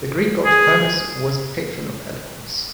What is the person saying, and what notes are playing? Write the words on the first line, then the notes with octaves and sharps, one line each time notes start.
The Greek god Hermes was patron of eloquence.
G#4